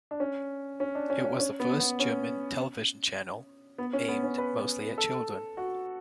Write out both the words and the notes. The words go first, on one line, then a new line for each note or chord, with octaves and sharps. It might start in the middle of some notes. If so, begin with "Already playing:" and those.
It was the first German television channel aimed mostly at children.
D4
C#4
C#4
D4
C#4
C#4
C#4
B3
B3
C#4
B3
C#4
B3
C#4
B4
A4
F#4